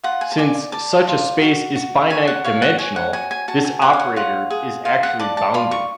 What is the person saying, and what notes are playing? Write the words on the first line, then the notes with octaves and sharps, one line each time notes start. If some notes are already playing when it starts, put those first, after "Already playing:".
Since such a space is finite-dimensional, this operator is actually bounded.
F4 F#5
G#5
A5
D5 G#5
D5 A5
F4
F#4
F#4
C#5 G#5
F#5
C#5 F5
F#5
C#5 G#5
F#5
F#4 G#5
G#5
F#4 A5
G#5
C#5 F#5
F5
F#5
F4 F#5
G#4
F4 F5
F#5
D5 A5
A5
F4 B5
C#6